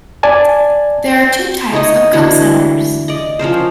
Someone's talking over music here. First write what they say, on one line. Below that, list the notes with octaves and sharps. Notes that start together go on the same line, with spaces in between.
There are two types of cup centers.
D5 G#5 A5
A3 D#4 C#5 D#5
D3 E3 E4 F#4
D5 D#5
F3 C#4 A#4 C5